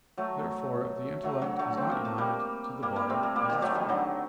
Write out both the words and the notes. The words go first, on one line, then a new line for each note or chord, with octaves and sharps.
Therefore the intellect is not united to the body as its form.
F#3 A3
F#3 A3
D3 F#3
F#3 A3
C4
A#3
A3
G3 A#3
G3 A#3
G3 A#3
A3 C4
G3 A#3
G3 A#3
D#3 G3
F#3 A3
D#3 G3
D3 F#3